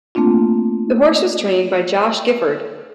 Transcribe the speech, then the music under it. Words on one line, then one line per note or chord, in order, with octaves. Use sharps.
The horse was trained by Josh Gifford.
A3 A#3 C4 D4 F4